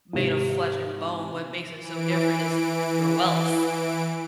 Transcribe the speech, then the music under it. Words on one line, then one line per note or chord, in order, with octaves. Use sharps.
made of flesh and bone, what makes us so different is your wealth.
G#1 C3
E3 D7